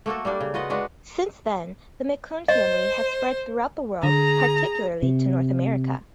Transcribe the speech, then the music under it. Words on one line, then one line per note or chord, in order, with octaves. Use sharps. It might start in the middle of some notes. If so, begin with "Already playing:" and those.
Since then, the McCunn family has spread throughout the world particularly to North America.
A3 A#3 F#4 A4
G3 A#3 D4
C#3
F4 F#4 B4 D#5
G#3 D4 F#4 B4
C5 D#5
D3 G#4 A#5
C3